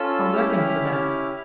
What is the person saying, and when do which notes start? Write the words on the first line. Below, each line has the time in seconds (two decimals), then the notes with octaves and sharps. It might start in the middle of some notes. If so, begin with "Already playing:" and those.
'I've reckoned for that.
Already playing: C#4 F4 A4 E6
0.33 C#4 E4 G4 F6